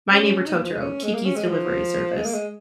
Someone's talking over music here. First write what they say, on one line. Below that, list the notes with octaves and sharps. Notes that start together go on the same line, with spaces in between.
My Neighbor Totoro, Kiki's Delivery Service,
C#4
D#4
A#3
F3
G#3
C#4
G#3
A#3
C#4
G#3
F3
G#3
A#3
G#3